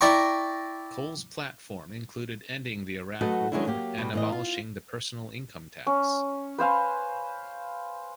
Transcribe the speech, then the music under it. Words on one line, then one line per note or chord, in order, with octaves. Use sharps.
Cole's platform included ending the Iraq War and abolishing the personal income tax.
E4 D5 G5 A#5 C#6
F#3 A3 F#4 A4 B4 D#5
D#3 F#3 G#3 C#4 D4 E4
F#3 A#3 G4
B2 G3
A2 E3 D#5
F4
C#4
B4 C5 F5 G#5